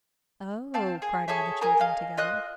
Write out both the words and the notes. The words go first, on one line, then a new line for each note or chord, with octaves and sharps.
"Oh!" cried all the children together.
C4 F5 A5
G#4
G#4 A4 C#5 E5
G#4 A#4 G#5 A#5
D#5 F5
F4 D#5 F#6